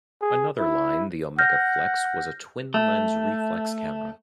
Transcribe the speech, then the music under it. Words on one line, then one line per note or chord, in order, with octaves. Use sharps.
Another line, the Omegaflex, was a twin-lens reflex camera.
G#4
E4
F#5 F6 G6 A#6
A3